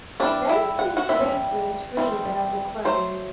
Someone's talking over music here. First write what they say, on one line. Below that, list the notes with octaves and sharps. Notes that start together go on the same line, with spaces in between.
They feed mostly in trees and on the ground.
E3 G3 C4 D4 D5
E4 E5
F#5
F#4 F#5
E3 G3 C4 E5
E3 G3 C4
F#3 A3 C5